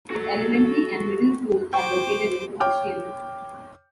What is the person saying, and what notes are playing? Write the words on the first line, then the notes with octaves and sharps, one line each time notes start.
Its elementary and middle schools are located in Ossian.
F#4 A4 A#5
C5 G5 C#6 D6
C#5 G5 D6 F6